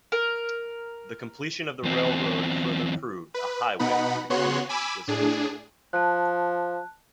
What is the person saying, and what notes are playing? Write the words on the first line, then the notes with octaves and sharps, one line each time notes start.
The completion of the railroad further proved a highway through the keys was feasible.
A#4
E2 C4
B4
B2 B3 D#4 F#5 B5
C#3 B3 F#4 C#5 C6 F#6
G#5 B5 D6 E6
A2 D4 G#4
F3 A5 F#6